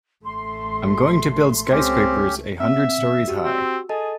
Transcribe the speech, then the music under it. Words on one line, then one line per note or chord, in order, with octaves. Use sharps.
I'm going to build skyscrapers a hundred stories high.
A1 A3 C6
C#2 A3 C4 C#4 G4
C4 E5
F#4 G4 E6
C4
G#4 A4 D#5 A5